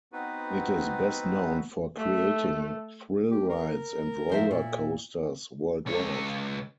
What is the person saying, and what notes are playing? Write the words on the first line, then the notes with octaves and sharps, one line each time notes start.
It is best known for creating thrill rides and roller coasters worldwide.
B3 C4 D#4 F#4 B4
A3
G4
A#4
F3 C5 E5
A#2 E4
C#2 C#5